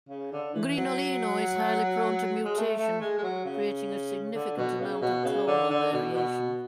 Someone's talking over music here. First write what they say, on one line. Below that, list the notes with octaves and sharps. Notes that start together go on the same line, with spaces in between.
Grignolino is highly prone to mutation, creating a significant amount of clonal variation.
C#3
D3
E3
F#3
G#3
A3
A3
G#3
G#3
F#3
C#3
D3
B2
C#3
B2
C#3
D3
D3
B2
B2